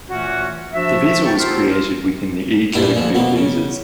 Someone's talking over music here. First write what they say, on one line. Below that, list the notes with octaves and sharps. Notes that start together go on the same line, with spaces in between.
The visa was created within the E category of visas.
A#2 E3 A3 C#4 F#4
F3 D4 F#4 E5
G5 A5 C#6
B3 F4 G4 A4 A#4 C5
G2 A#2 D4 E4 F4
D2 F3 G#3
B2 A#3 B3
C#3